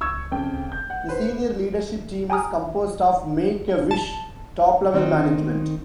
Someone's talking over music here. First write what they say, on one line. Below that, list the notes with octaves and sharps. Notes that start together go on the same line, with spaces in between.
The senior leadership team is composed of Make-A-Wish's top-level management.
C#2 C#6 E6 G#6
F2 C#3 G5
C#2
F1 G6
F#5
B4 C5
G5 G#5 A#5 D#6 F6
A5
D#3 C4 D#4